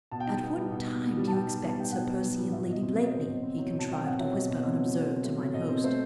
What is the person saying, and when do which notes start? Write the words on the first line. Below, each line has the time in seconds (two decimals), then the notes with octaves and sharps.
"At what time do you expect Sir Percy and Lady Blakeney?" he contrived to whisper unobserved, to mine host.
0.11 B2 A5
0.20 G5
0.27 D#4 A5
0.42 B3
0.57 G3
0.72 B2
0.87 D#4
1.02 B3
1.17 G3
1.28 A5
1.32 B2 G5
1.47 D#4
1.62 B3
1.67 A5
1.77 G3 G5
1.92 B2 F#5
2.07 D#4
2.22 B3
2.38 G3
2.52 B2 E5
2.68 B2
2.73 D#5
2.83 C4
2.93 F#3 D#5
3.07 D#5
3.13 B2 C5
3.28 B2
3.43 C4
3.58 F#3
3.73 B2
3.79 A5
3.88 B2 G5
4.03 C4 F#5
4.18 F#3 E5
4.33 B2 D#5
4.49 B2
4.64 C4
4.78 F#3
4.94 B2
5.08 C4
5.24 A3
5.39 F#3
5.53 B2 D#5
5.69 C4
5.84 A3 C5